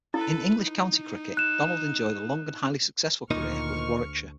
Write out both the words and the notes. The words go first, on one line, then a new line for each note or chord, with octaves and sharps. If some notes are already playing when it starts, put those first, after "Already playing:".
In English county cricket, Donald enjoyed a long and highly successful career with Warwickshire.
E4 A4 B4
D#4
F#6 E7
D2 A#2 D#3 D#4 C#6 F6